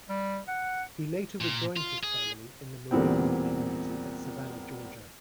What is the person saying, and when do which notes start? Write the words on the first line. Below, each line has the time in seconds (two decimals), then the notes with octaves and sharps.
He later rejoined his family in the Moravian community at Savannah, Georgia.
0.09 G3
0.47 F#5
1.42 A#2
1.77 F4
2.04 G#4
2.91 E2 A#2 G3 B3 C4